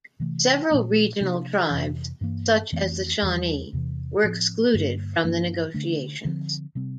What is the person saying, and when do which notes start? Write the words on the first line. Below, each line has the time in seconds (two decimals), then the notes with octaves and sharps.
Several regional tribes, such as the Shawnee, were excluded from the negotiations.
0.20 C3 E3 A3
0.70 A#2 F3 A3 C4
1.21 C3 F3 A#3 D4
1.71 F2 C3 E3
2.21 G2 E3 A#3
2.72 F2 E3 A3 C4
3.22 E2 E3 G3
3.73 E2 C3 E3
4.24 A2 F3 C4
4.74 G2 D3 G3 A#3
5.24 G2 F3 A#3 D4
5.74 D3 A3 D4
6.25 D3 F3 C4
6.75 C3 G3 C4